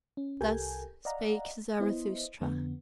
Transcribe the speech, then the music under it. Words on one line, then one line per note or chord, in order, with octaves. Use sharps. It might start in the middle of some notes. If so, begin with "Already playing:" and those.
Thus spake Zarathustra.
C#4
C2 G4 A4 A#4 G#5 G6
D5 D#5 F5 F#5 A#5
B3 E4 C5 D#5
F2 D3 B3